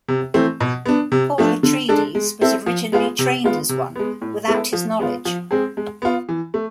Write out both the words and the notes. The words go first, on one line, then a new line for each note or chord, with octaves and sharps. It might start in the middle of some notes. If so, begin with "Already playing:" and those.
Paul Atreides was originally trained as one without his knowledge.
C3
E3 A3 C4
B2
B3 D4
C3
F3 A3 D4
D3
G#3 D4 A4
G#3
C4 E4 A4
F3
G#3 B3 F4 G#4
C3
G#3 B3 F4
C3
G#3 B3
A2
G#3 B3 E4 A4
F3
G#3 B3 F4
F3
G#3 C4 G#4
G#3
B3 F4
E3
A3